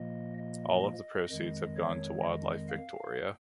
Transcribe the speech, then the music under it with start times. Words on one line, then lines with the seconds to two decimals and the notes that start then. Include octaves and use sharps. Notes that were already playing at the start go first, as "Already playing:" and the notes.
All of the proceeds have gone to Wildlife Victoria.
Already playing: A#2 F3 A#3 D#5
0.38 D#5
0.84 D#5
1.30 F2 D#3 G#3 D#5
1.76 C#5
2.22 D#5
2.69 F5